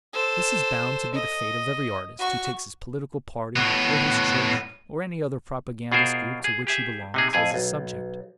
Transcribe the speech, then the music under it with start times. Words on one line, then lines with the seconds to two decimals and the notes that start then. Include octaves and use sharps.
This is bound to be the fate of every artist who takes his political party or his church, or any other propagandist group to which he belongs, as his subject.
0.13 A4 C5
1.14 D#5
2.19 F#4 C#6
3.56 A2 B3
5.92 B2 F4 G#4 A#4 C5
6.44 G#4
6.67 G4 G#4 E5
7.14 C3 D#4 G#4
7.33 F2 G#4 G#5
7.54 B1